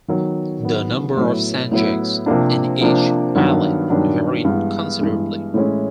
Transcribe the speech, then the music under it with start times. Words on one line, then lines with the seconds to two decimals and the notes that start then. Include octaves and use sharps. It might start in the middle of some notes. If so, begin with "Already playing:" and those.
The number of sanjaks in each eyalet varied considerably.
0.08 D#3 F#3 B3
0.63 D#3 F#3 B3
1.17 A2 F#3 B3 E4
1.71 A2 F#3 B3 E4
2.26 C3 F3 A#3 D4
2.81 C3 F3 A#3 D4
3.35 G2 D#3 F#3 B3 D4
3.90 G2 D#3 F#3 B3 D4
4.45 G2 E3 G#3 B3
5.00 G2 E3 G#3 B3
5.54 A2 E3 G#3 C#4 E4